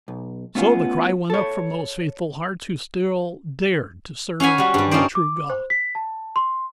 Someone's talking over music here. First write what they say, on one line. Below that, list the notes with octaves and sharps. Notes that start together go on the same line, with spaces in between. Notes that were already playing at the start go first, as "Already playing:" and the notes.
So the cry went up from those faithful hearts who still dared to serve the true God.
B1
A3 B3 C#4 F4
A4 C#5
C#4 F5 F#5 G#5 B5
G3 F#4
G2 G3
A#3 C#4 D#4 F4 C5 D5
D6
C5
B6
A5
C6